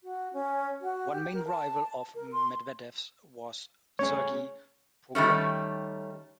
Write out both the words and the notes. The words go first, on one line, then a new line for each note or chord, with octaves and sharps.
One main rival of Medvedev's was Sergi Bruguera.
F#4
C#4
F#4
G4
A#4
A5
A#4
C6
A3 C#4 G#4 C#5
D#3 G3 A3 C#4